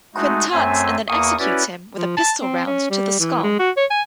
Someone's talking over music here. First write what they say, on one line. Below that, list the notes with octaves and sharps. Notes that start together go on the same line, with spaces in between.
Quinn taunts and then executes him with a pistol round to the skull.
G#3 A3 D#4 F#4
F#2 A3 C4 E5 G#5
E2 A#3 C#6 D#6
C#4 E4 F#4 B4 D5
F3
A5
C4
C#4
G3
E3
G#3
F#4
C#5
G#5